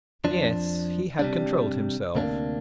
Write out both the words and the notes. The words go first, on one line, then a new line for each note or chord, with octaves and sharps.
Yes, he had controlled himself.
F2 F3 D4
C3 G3 D4
D2 C3 A#3 D4